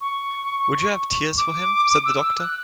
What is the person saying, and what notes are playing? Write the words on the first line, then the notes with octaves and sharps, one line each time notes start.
'Would you have tears for him?’ said the doctor.
C#6
D6
E6
E6
F#6